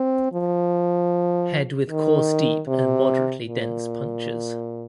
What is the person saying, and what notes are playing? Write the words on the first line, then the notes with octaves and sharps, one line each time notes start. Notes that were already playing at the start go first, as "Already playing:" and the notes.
Head with coarse deep and moderately dense punctures.
Already playing: C4
F3
D#3
C3
A#2